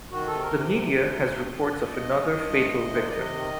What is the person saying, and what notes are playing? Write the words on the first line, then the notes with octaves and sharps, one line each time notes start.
The media has reports of another fatal victim.
D#3 F#4
C3 A4
A#4
C3
D2
D2
C3
G2
G2
G2
D5
G2 D#5
G2
G2
D2
D2
C3 C5
D5
C3 D#5
D#3